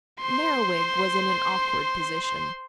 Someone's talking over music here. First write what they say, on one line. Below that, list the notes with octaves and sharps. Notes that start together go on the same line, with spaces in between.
Merriwig was in an awkward position.
C5 C6